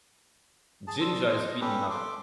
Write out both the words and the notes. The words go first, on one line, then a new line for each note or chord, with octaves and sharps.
Ginger is beaten up.
G#4 A5
D4 C6 E6
C5 D#5
C#4 G4 A4 B4
A4 C6 D6